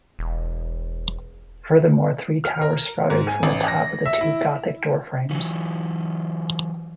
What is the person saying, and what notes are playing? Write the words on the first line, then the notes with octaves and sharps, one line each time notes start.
Furthermore, three towers sprouted from the top of the two Gothic doorframes.
E1
F6
A#4
G#2
G#5
A1
A#6
E5
E4
E3 F#3